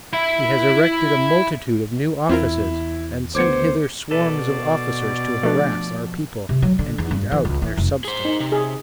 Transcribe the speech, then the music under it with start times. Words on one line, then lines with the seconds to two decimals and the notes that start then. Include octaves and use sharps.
He has erected a multitude of New Offices, and sent hither swarms of Officers to harass our People, and eat out their substance.
0.13 E4 E5
2.29 E2 C4 E4 F4 A#4
3.35 D2 B3 C5 D6 G#6 C#7
4.11 B2 A4 B4 D5
5.43 F3 A3 D4
6.49 C3
6.62 F#3
6.79 D3
6.98 E2
7.11 G2
7.32 E3
7.45 C#2
7.62 E3
7.77 F1
8.04 G#4 C5
8.25 D#4
8.40 C3
8.52 G#4